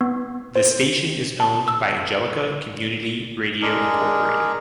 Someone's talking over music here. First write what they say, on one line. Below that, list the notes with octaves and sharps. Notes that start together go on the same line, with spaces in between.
The station is owned by Angelica Community Radio Inc.
B3
C5
A5
E6
G#3 D4 G#4 A#4